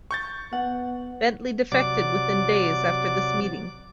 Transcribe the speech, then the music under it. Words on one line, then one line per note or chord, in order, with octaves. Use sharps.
Bentley defected within days after this meeting.
C#6 G6 A6
B3 F#5
C3 F#3 D5 D6